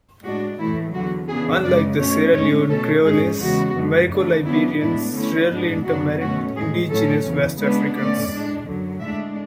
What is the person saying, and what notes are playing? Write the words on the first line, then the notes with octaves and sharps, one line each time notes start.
Unlike the Sierra Leone Creoles, Americo-Liberians rarely intermarried with indigenous West Africans.
A2 G#3 D4 F#4
A2 E3 A3 E4
E2 D3 F#3 F#4
C#3 E3 B3 D4 G#4
F#2 C#3 G#3 D5
B2 A3 C#4 C#5
A2 G#3 C#4 C#5
B2 A3 C#4 A4
G#2 G#3 C#4 G#4
E2 C#3 E3 G#3 B3 F#4
F#2 D3 G#3
C#3 E3 A3 D4
C#3 F#3 B3 D4 E4
A2 G#3 B3 D4 E4
D3 A3 C#4 E4
G#2 G#3 B3 D4
F#2 C#3 F#3 B3 D4 F#4
B2 A3 C#4 F#4
A2 E3 G#3 G#4
A2 F#3 C#4 A4
E2 C#3 E3
C#3 G#3 B3 D4 B4
D3 A3 C#4 D5
A2 G#3 D4
F#2 D3 F#3
A2 G#3 D4 E5